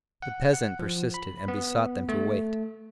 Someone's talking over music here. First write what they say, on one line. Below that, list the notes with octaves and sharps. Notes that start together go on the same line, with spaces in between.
The peasant persisted and besought them to wait.
F#5
F#5
F3
B5
B3
A3